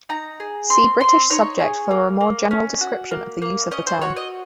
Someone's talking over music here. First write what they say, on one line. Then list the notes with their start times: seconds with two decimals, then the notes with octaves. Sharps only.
See British subject for a more general description of the use of the term.
0.09 D#4 A#5
0.40 G#4
0.70 C4 C6
1.00 C4 C6
1.30 D#4 C#5
1.60 G#4
1.91 A#3
2.21 A#3
2.51 C#4
2.81 F#4
3.11 A#3
3.42 A#3
3.71 C#4 D#5
3.87 C5
4.02 F#4 C#5
4.16 D#5